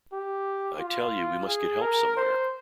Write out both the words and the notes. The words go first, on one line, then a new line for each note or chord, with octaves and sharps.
I tell you we must get help somewhere.
G4
F4
G#4
A#4
C5